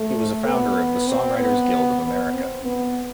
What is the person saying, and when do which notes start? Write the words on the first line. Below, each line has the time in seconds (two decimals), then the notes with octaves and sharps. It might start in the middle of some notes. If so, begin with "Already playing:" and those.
He was a founder of the Songwriters Guild of America.
Already playing: A3
0.45 B3
1.08 C4
1.39 B3
2.01 B3
2.33 C4
2.65 B3